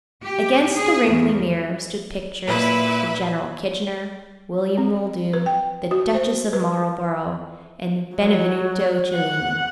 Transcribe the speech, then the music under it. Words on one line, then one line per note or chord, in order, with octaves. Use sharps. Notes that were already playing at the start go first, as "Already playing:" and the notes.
Against the wrinkly mirror stood pictures of General Kitchener, William Muldoon, the Duchess of Marlborough, and Benvenuto Cellini.
G4
G#4
E2
A#2 E4 B4 E5
C4
B4
G5
F#4
C5
B4
F#3
F#5